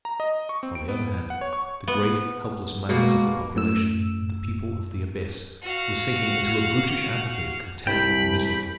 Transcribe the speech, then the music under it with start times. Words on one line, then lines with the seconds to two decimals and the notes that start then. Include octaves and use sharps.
On the other hand, the great helpless mass of the population, the people of the abyss, was sinking into a brutish apathy of content with misery.
0.05 A#5
0.20 D#5
0.49 C#6
0.63 C4
0.75 D7
0.88 B3
1.30 F#5
1.41 C#5
1.53 C#6
1.88 B3
2.89 B2 G#3 A#3 F#4
3.55 F#2 A2 E6
5.62 F#4 F5
7.87 C2 G5 B5